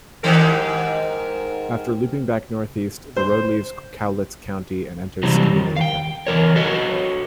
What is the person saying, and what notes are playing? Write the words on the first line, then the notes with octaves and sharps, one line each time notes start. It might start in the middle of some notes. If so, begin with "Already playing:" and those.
After looping back northeast, the road leaves Cowlitz County and enters Skamania County.
G#2 D#3 G4 A#4
C5
C3 E3 F#3 G3 C4
D#3
F5 G5
E3 A#4 C#5
F#4 A4 C#5 D#5